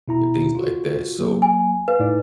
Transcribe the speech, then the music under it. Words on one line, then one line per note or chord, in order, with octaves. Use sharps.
and things like that. So,
B2 E4 A#5
F4 F#4
F#3 A#3
G#5
B4 F5
A2 D#4 D5